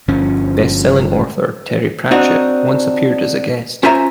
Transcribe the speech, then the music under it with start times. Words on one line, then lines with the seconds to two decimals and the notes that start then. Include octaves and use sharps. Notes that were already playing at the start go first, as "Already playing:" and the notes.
Bestselling author Terry Pratchett once appeared as a guest.
0.08 G1 G2 F3 C#4
2.11 C4 D4 D#4 F#4
3.83 C#4 F4 C5 E5 G#5 A#5